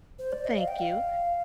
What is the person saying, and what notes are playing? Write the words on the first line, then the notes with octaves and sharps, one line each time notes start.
Oh, thank you.
C5
D5
D#5
F5
G5
F5